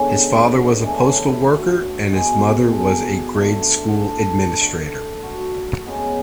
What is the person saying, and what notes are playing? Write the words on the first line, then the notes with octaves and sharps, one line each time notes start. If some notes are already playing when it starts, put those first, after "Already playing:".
His father was a postal worker and his mother was a grade school administrator.
Already playing: D3 G#3 B3 C#4
C#3 E3 A3 D4
E4
F#4
B2 G#3 B3
G#4 A4
D3 A3
A4
D3 A3
F#4
C#3 G#3 B3